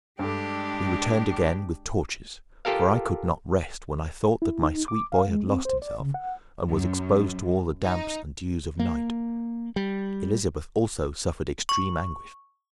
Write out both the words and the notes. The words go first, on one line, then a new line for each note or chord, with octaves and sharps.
We returned again, with torches; for I could not rest, when I thought that my sweet boy had lost himself, and was exposed to all the damps and dews of night; Elizabeth also suffered extreme anguish.
G2 G#3 D4 G4 A4
F4 G4 A4 A#4 F5
E4
D#4
D6
F5
G#3
C4
C5
D5
C#3
F#5
F#2
D#4
A#3
G3
C#6